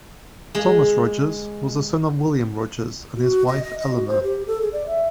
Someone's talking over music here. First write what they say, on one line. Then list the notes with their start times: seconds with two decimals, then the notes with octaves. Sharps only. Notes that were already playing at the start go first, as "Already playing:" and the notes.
Thomas Rogers was a son of William Rogers and his wife Eleanor.
0.55 G#3
3.17 F#4
3.48 D#5
3.64 D#5
3.80 D#5
3.95 F#4
4.08 C5
4.23 G4
4.47 A4
4.61 G#4
4.73 D5
4.87 E5